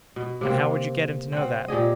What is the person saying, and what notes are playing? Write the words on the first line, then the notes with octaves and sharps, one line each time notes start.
"And how would you get him to know that?"
B2
C3 A#3 C4
C4 F#5
A#2 G4 G#4 D#5